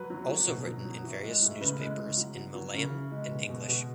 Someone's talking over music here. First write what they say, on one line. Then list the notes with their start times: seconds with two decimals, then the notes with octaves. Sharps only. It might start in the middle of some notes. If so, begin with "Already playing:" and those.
Also written in various newspapers in Malayalam and English.
Already playing: F#3 B4
0.10 F#3
0.29 F#3
0.48 B2
0.67 F#3
0.85 F#3
1.04 E3
1.23 G#3
1.42 A2
1.61 C#3 B4
1.80 G#3
1.99 C#3
2.17 F#3
2.36 F#3
2.55 F#3
2.74 C#3
2.93 E3
3.11 G#3
3.31 B2
3.50 B2
3.68 B2